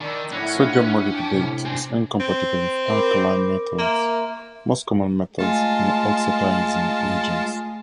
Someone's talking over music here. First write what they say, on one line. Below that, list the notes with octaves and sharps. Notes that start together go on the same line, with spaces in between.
Sodium molybdate is incompatible with alkali metals, most common metals and oxidizing agents.
D#3 D5 A5 B5 E6
A2 C#4 E4 F#5 G#6 A#6 C7
D4 F4
G5 A5 D6
A2 C3
C4 D4 G#5
C4
A#4 B5 D6
A#3 E5 A#5 C6
G#3 A3 F4 G#5 A5